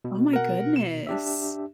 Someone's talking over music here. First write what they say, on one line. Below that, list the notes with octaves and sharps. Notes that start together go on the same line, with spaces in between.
Oh my goodness.
B2
A#4 F#5
E7
D4 G4 E5